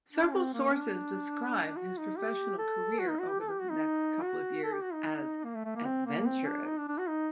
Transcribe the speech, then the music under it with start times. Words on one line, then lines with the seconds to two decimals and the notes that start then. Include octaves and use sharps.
Several sources describe his professional career over the next couple of years as "adventurous".
0.13 D4
0.33 C4
0.54 A#3
0.74 D4
1.77 F#4
1.98 D#4
2.18 G4
2.58 A4
2.99 F#4
3.09 D#4
3.19 F#4
3.30 G4
3.40 A4
3.50 G4
3.61 F#4
3.70 D#4
4.22 F#4
4.63 A4
4.74 G4
4.83 F#4
4.93 D#4
5.45 A#3
5.55 A3
5.65 A3
5.76 A#3
5.86 C4
6.06 A#3
6.26 C4
6.47 D4
6.67 D#4
6.78 D4
6.89 D4
6.98 F#4
7.08 D#4